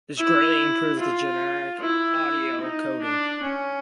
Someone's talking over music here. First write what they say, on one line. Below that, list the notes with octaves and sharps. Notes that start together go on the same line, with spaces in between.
This greatly improves the generic audio coding.
E4
F4
E4
D#4
D4
C#4